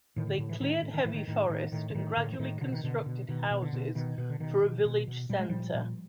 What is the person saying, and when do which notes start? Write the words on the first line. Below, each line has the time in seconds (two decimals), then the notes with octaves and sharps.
They cleared heavy forest and gradually constructed houses for a village center.
0.16 A2 D#3
0.27 D3
0.38 A2
0.49 E3
0.60 A2 D#3
0.82 A2
0.94 D#3
1.04 A2 E3
1.14 D#3
1.27 A2 D#3
1.49 A2 D#3
1.72 A2 D#3
1.90 D3
1.95 A2 D#3
2.17 A2 D3
2.32 E3
2.39 A2 D#3
2.61 B2 D3
2.72 D#3
2.84 B2 D3
3.06 B2
3.29 B2 D#3
3.51 B2
3.62 D3
3.73 B2
3.95 B2 D#3
4.18 B2
4.30 D3
4.40 B2 D#3
4.63 B2
4.85 B2
5.08 B2
5.29 A#2 G3
5.39 G#3
5.49 A#2 F3 G3
5.74 A#2